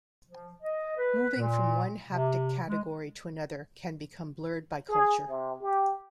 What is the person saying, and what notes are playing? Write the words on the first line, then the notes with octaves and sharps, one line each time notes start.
Moving from one haptic category to another can become blurred by culture.
F3
D#5
B4
A#2
C3
G#3
G#4
C3
G4